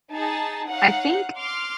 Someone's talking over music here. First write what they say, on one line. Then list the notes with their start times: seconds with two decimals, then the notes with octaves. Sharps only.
I think
0.13 D#4 G#4 A5
0.69 D#4 C#5 F5 F#5
1.37 C6 D6 F6